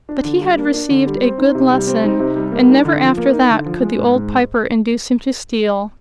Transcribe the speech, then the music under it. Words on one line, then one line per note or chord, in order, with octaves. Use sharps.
But he had received a good lesson and never after that could the old piper induce him to steal.
D4
D3
G3
A#3
D4
D3
G3
C4
D#4
C3
G3
C4
D#4
C3
G3
A#3
D#4
D3
F3
A#3
D#4
D3
F3
G#3
G#2
G#2